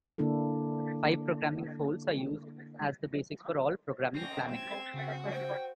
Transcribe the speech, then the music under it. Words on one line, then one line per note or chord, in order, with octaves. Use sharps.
Five programming folds are used as the basis for all program planning.
D3 A#3 D4 E4 A4
C4 C#4 A#5
E5 G#6 E7
C#3 F#4
C5 G5